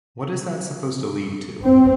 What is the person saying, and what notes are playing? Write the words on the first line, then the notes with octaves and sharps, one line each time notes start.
What is that supposed to lead to?
C4